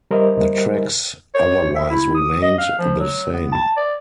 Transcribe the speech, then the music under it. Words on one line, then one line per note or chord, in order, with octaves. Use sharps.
The tracks otherwise remained the same.
G3 A#4 C5 D#5 E5
C#5
E5
E4
D#6
D#5
F5
F3
F#3
B3
A5
D5